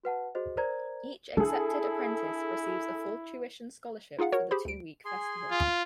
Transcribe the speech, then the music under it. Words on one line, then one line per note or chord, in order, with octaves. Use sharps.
Each accepted apprentice receives a full tuition scholarship for the two-week festival.
F#4 B4 F#5 A5
F#4 G#4 C5 D#5
A#4 C5 D5 A#5 G#6
D4 E4 G#4 A4
D#4 F4 G#4 F5 F#5
F#4 A#4 C#5 F#5
G4 G#4 C5 B5
D2 D7
G#4 G#5 C6
F4